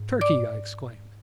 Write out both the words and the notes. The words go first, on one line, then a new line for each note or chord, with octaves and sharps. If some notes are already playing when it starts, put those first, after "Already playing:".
"Turkey!" I exclaimed.
Already playing: G#2
D5 D6